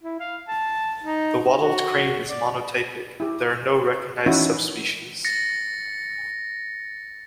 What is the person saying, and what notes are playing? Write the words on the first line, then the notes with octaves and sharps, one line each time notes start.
The wattled crane is monotypic: there are no recognised subspecies.
E4
F5
A5
D#4
F#4
D5
E4 G4
E3 C#4 D#4 E4 F#4
A6 A#6 C#7